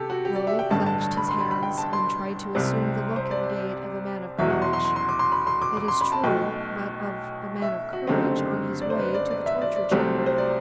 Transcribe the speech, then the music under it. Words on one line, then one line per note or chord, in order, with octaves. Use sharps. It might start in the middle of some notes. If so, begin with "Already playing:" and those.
Raoul clenched his hands, and tried to assume the look and gait of a man of courage, it is true, but of a man of courage on his way to the torture chamber.
Already playing: C3 G4 A4
F#4
G4
D5
E5
G5
A1 G2 D3 A5
A5
A5
B5
C6
B5
B5
G5
A5
C6
C2 C3 G3 C4
C5
D5
E2 B2 F#3 E5
F#5
C6
C6
C6
C6
D6
C6
B5
C6
D6
D6
C6
B5
A5
B1 B2 A3 G5
E5
F#4
F#1 F#2 D3 A3 C4 G4
D5
C5
B4
D5
D5
E5
D5
D5
C2 C3 F#3 A3 C4 G4
C5
D5